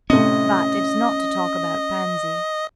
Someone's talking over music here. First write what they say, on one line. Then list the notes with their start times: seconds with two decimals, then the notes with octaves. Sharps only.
"But it's not to talk about Pansy."
0.10 A2 C3 C#4 D#5